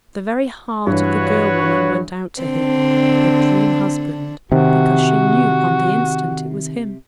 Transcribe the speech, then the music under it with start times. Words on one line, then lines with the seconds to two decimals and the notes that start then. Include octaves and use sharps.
The very heart of the girlwoman went out to him, her dreamhusband, because she knew on the instant it was him.
0.87 G2 E3 F#4 B4 C#5
2.42 D3 C4 D4
4.52 C3 D#3 F#4